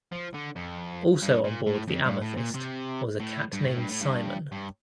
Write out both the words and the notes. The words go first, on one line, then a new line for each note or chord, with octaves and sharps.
Also onboard the "Amethyst" was a cat named Simon.
F3
D3
F2
G2
A#2
A2
F2
G2
A2
A#2
C3
A2
G2
A2
G2
A2
G2
G2